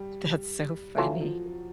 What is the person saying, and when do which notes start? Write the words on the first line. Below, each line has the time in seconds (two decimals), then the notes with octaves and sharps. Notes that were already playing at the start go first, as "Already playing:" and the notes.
That's so funny.
Already playing: G3
0.97 E3 F#3 A3 C#4 F4
1.20 F3